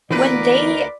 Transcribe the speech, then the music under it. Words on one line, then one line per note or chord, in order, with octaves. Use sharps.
when they
D2 E3 B3 F4 A#4 B4 D5 D6